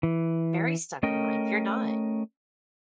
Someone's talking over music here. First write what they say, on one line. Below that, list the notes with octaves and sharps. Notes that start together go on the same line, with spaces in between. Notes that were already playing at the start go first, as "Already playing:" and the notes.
very stuck in life. You're not.
E3
A3 C#4 A#4 D#5 G5